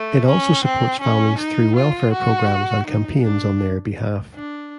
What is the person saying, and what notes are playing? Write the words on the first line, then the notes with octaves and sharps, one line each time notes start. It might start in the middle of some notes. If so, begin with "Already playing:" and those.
It also supports families through welfare programmes and campaigns on their behalf.
Already playing: A3
C#4
C4
C#4
D#4
F4
F#4
D#4
D4
D4